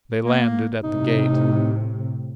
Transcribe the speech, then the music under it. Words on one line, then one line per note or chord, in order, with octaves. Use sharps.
They landed at the gate.
A#3
A2 C3 D#4